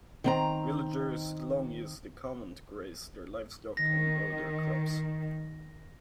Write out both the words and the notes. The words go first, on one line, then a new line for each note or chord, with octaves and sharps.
Villagers long used the common to graze their livestock and grow their crops.
D#3 C4 A#5
D#3 A#6